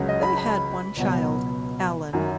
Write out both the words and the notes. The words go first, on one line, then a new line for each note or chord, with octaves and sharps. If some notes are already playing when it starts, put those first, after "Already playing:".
They had one child: Allan.
Already playing: C#2 C#3 F#3
D#5
B5
B5
C#2 B2 F#3
F#2 D#3 F#3